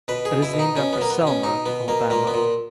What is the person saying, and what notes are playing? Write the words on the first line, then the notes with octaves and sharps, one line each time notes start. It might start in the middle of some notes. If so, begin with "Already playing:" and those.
It is named after Selma, Alabama.
B2 B4
G#4
B2
E4
B2
D#4
B2 C#4
B3
B2 A#3
B3
B2
C#4
B2 D#4
B2 B3
B2 A#3
A#2 A#3
B3
A#2